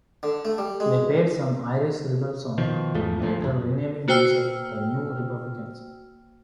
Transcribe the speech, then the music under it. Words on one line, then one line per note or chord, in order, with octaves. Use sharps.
They played some Irish rebel songs, later renaming themselves the New Republicans.
D3
A3
G3
G#3
B2 D#3 F3
E2 G#2 F3 A3
D2 G2 A#2 F3
A1 F#2
A#3 F#4 C5 G5 E6 F6